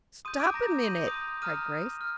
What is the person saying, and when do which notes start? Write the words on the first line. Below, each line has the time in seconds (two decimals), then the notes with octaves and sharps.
"Stop a minute!" cried Grace.
0.25 C6 D#6 G6 D#7
0.40 D6 D7
0.54 A#5 A#6
0.83 C6 G6 D#7
0.96 F7
1.07 D#6 D#7
1.42 A#5 D#6 F6 D#7
2.01 F6